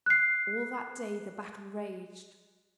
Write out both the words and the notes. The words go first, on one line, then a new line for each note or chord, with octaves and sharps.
All that day the battle raged.
F#6 C7